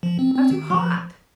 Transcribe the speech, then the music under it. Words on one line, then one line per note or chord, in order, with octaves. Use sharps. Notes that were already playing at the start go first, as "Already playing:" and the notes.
"I'm too hot."
F3
C4
C4
D#3
F#3
F3